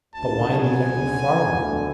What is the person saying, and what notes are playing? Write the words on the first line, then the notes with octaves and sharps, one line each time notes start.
But why need I go farther?
D2 A5
D3
F#3 G#5
B3
D2
D3
F#3
B3
D2
D3